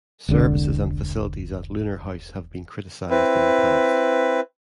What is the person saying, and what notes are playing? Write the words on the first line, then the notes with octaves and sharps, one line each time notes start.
Services and facilities at Lunar House have been criticised in the past.
E1 C2 D3
C4 E4 B4